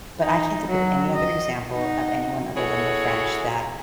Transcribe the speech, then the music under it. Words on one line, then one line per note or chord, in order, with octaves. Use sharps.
but I can't think of any other example of anyone other than the French that
D#4
F#3
D#5
D#4 F#4
E4 F#4 G#4 A4 C#5